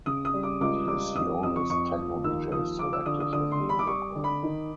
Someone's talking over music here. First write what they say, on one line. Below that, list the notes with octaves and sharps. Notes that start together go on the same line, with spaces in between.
He is the oldest techno dj still active in Uruguay.
C#3 D#6
D#6
G3
D6
C#2 D6
G3 D6
F2 D#6
F2 D#6
C#6
F2 C#6
F3
D#2 E6
F3 D#6
F3 D6
E6
D3 D#6
D#6
D3 D#6
C6
G3
B5
D6
G3 C#6
D3
B5
D#3